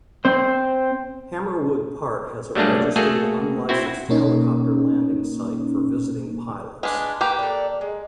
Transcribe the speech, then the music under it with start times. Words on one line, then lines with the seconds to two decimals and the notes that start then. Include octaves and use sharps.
Hammerwood Park has a registered unlicensed helicopter landing site for visiting pilots.
0.25 C4 C5
2.55 F#3 G3 A3 A#3 D4 G#4
2.96 A3 A#3 F#4 G#4 A4
3.69 C4 E4 F#4
4.09 B2 A#3 C#4 D#4
6.83 G#3 D4 B4 F5 G#5
7.21 A#3 G4 B4 G5
7.39 D4 A4
7.81 G#3